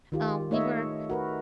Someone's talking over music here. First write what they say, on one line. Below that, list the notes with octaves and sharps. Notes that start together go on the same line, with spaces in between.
um, we were
D#3 F4 G4
A3 D#4 C#5 D#5 E5
F#4 A#4 B4